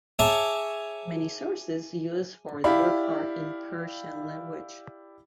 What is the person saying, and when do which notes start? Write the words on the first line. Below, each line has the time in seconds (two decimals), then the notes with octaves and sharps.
Many sources used for the book are in Persian language.
0.19 G#4 C#5 E5 A5 A#5 D6
2.64 E4 G4 D5 F5 B5